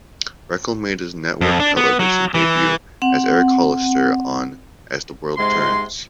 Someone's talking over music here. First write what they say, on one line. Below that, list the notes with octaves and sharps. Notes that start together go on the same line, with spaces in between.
Reckell made his network-television debut as Eric Hollister on "As the World Turns".
F2
D4
B3
F#3
E3
C4 F#5
G#2 C3 G#3 C6